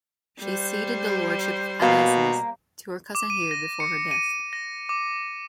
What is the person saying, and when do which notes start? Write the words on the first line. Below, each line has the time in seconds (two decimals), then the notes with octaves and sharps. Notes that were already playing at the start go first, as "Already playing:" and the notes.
She ceded the lordship of Avesnes to her cousin Hugh before her death.
0.39 G3 C5
1.82 B2 A#3 F5
3.15 D6
3.30 D#7
3.51 A#6
3.80 C#7
4.11 D#7
4.53 A#6
4.89 D6